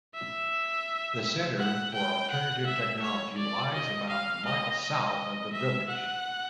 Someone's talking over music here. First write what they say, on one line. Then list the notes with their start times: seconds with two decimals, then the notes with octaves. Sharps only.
The Centre for Alternative Technology lies about a mile south of the village.
0.15 E5
1.58 F#5
1.94 G5
2.30 F#5
2.66 E5
3.02 C#5
3.37 D5
3.73 D#5
4.09 F5
4.45 D#5
4.81 D#5
5.53 E5
5.88 F#5